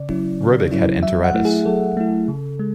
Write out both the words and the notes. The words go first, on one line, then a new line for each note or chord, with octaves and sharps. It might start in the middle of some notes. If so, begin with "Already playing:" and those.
Robic had enteritis.
Already playing: C#3 D5
F#3 C#4 E4
C#3
F#3 C#4 E4
F#3 E5
F#5
A3 E4
G#4
F#3 A4
A3 E4
C#3
G#3